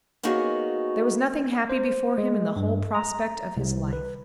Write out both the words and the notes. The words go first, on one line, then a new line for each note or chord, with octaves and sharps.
There was nothing happy before him in the whole prospect of his life.
A#3 B3 C#4 D#4 F#4 G#4
C5
G#3
G2
A#5
C2
B4